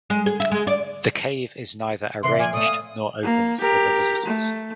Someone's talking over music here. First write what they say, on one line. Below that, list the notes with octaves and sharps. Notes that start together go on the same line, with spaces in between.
The cave is neither arranged nor opened for the visitors.
G#3
G#4
E5
G#3
D5
C3 E3 B4 C6
F3 D5 G#5
A2 A3 D#6
F5
A#3
G4 A#4
A3